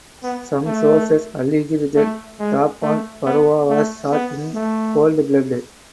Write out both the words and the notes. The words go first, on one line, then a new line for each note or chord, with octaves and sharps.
Some sources alleged that Tapan Baruah was shot in cold blood.
B3
A3
A3
G#3
A3
B3
A3
B3
A3